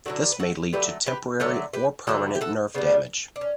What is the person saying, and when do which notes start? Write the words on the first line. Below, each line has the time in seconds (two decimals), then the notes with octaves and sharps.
This may lead to temporary or permanent nerve damage.
0.06 D3 F#3 A3 D4 F#4
0.32 B4
0.40 F#4 A4
0.73 D3 F#3 A3 G4 B4
1.06 G4 B4
1.40 D3 F#3 A3 A4 C#5
1.74 G4 B4
2.07 D3 F#3 A3 F#4 A4
2.35 G4
2.41 F#4 A4
2.74 C#3 G3 B3 D4
3.36 D4
3.41 C#4